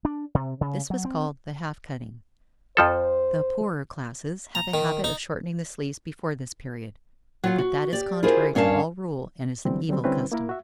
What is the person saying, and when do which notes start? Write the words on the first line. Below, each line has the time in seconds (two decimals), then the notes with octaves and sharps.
This was called the "half cutting." The poorer classes have a habit of shortening the sleeves before this period; but that is contrary to all rule, and is an evil custom.
0.05 D4
0.35 C3
0.61 C#3
0.90 F#3
1.05 C4
2.77 F2 F3 A4 C5
4.55 A#5
4.74 D#3
5.04 D#4
7.44 F#3 F4 F#5
7.58 F#4
7.93 G4 D5
8.23 E4 F4 G4 G#4 A#4 C5
8.55 G2 C#4 A#4 F5 A5
9.65 D3 E3 F#3 G3 C4
9.89 D3 F#3 G3 C4
10.04 D3 G3 C4 C#4 E4 B4
10.32 A#3 E4 A#4
10.49 F#4 E5